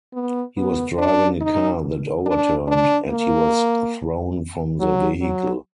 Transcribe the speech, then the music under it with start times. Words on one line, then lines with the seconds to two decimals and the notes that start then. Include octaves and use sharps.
He was driving a car that overturned, and he was thrown from the vehicle.
0.13 B3
0.57 B3
0.99 D4
1.41 D#4
2.26 D4
2.68 D4
3.10 A#3
4.80 F#3
5.22 F#3